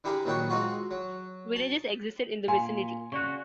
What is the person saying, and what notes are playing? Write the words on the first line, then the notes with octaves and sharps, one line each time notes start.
Villages existed in the vicinity.
D3 E4 G4 G#4 A#4
A#1 D#3 F#3 B4 G5 C#6
G#3 C4 D#4 F4 F#4
F#3
A5
A#2 G#5 C6
C#3 F#4 D5 C#6